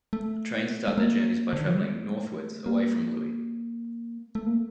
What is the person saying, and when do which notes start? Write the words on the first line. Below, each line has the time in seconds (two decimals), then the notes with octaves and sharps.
Trains start their journey by travelling "northwards", away from Looe.
0.13 A3
0.88 A3
0.98 A#3
1.53 D3
1.60 D#3
1.67 F3
1.75 G3
1.82 A3
2.66 A#3
4.35 A3
4.46 A#3